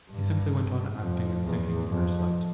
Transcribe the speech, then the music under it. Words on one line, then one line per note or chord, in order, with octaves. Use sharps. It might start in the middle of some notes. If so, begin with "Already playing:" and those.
He simply went on acting and thinking in her sight.
G2
F2
E2
F2